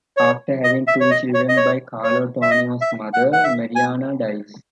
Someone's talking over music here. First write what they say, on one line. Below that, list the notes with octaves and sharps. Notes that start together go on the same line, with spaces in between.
After having two children by Carlo, Tonio's mother, Marianna, dies.
C#5
D#5
E5
C#5
D#5
C#5
D#5
C#5
C#5
E5
D#5
E5
F#5
F#5
E5
G#5